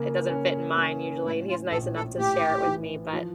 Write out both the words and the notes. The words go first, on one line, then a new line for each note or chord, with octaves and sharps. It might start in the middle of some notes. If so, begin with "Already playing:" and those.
it doesn't fit in mine, usually, and he's nice enough to share it with me, but
Already playing: C#3 A#3
C#4
C#4
A2 E4
F4
A#1 A4
A4
A2 G4
E3
F3